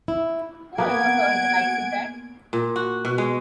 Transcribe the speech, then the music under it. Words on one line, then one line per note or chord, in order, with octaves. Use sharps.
Who ever heard the likes of that?
E4
A#3 B3 F#5 G#5 G#6 D7
A#2
F#4
B2
G#3